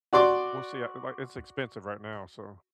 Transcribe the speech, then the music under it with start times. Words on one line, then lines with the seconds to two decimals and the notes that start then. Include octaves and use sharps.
we'll see, I like, it's expensive right now, so
0.13 F#4 D5 C6 D6